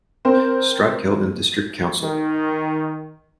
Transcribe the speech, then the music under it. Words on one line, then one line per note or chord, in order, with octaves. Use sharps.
Stratkelvin district council.
C4 A#4 C5
D#3